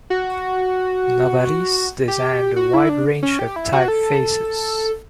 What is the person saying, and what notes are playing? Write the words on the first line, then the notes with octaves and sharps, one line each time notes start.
Novarese designed a wide range of typefaces.
F#4
G4
F#4
E4
D4
C#4
G4
E4
F#4
A4